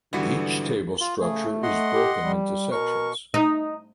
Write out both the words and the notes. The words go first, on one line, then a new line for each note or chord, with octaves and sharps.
Each table structure is broken into sections.
G#1 D3 E3 G3 B3 F#4
F4
C#3 A3 G#4
D#5 F#5 C6
G4
G3
B2 A#4 C#6
D#4